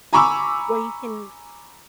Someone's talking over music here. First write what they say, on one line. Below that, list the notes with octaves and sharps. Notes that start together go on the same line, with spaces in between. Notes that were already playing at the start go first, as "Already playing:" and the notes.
where you can
G#5 A#5 B5 C#6 D6 E6